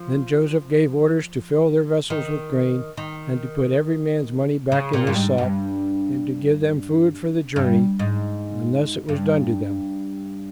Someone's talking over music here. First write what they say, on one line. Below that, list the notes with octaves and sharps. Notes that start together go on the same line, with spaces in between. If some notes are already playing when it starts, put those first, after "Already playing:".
Then Joseph gave orders to fill their vessels with grain and to put every man's money back in his sack and to give them food for the journey; and thus it was done to them.
Already playing: F3
D#3
D#3
C#3
A#2
G2
G#2
G2
G2
G#2
G2